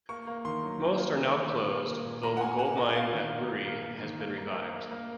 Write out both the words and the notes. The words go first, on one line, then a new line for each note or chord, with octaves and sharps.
Most are now closed, though the gold mine at Luiri has been revived.
A#3 C#6
A#3
D#3 C6
F#3
D#3
A#3
D#3
D#3
A#2
A#3
A#2
A#2
A#2 A#5
F#5
A#3 G#5
A#3 F#5
A#2 D#5
A#3 F5
D#3
A#3
A#3
A#3
A#3
D#3
A#3
A#3
A#3
A#3
A#3